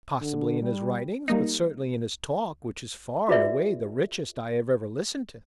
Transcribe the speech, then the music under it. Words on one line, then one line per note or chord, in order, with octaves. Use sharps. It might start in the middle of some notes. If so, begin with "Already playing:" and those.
"Possibly in his writings, but certainly in his talk, which is far and away the richest I ever listened to."
D3
G3
G3 A#3 D#4
F4 F#4 G#4 B4 D5 E5